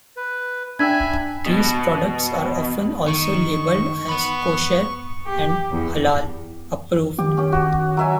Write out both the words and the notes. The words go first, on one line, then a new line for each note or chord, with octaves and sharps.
These products are often also labeled as kosher and halal approved.
B4
D4 E5 G5 G#5 B5 E6 G#6
B2
D#3 C#6
B3 B5
G4
E2
D#3 G4
C#4 G4
F#4
F#3 E5 G#5